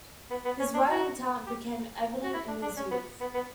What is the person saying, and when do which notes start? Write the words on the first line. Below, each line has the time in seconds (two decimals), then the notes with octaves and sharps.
His writing talent became evident in his youth.
0.30 B3
0.45 B3
0.59 C#4
0.74 D4
0.89 F#4
1.47 G4
2.23 F#4
2.34 E4
2.48 D4
2.62 D4
2.77 C#4
2.91 B3
3.20 B3
3.34 B3